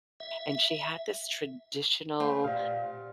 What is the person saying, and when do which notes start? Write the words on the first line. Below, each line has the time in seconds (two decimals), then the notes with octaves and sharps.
and she had this traditional,
0.20 E5
2.20 A3 C4 F4 C5
2.44 A#2 G4 D5 F5